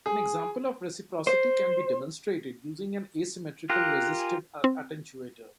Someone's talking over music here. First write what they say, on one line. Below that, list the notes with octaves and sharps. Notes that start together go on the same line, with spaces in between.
An example of reciprocity can be demonstrated using an asymmetrical resistive attenuator.
G#4
C5
F4 G4 A#4 F#6
G#5
C4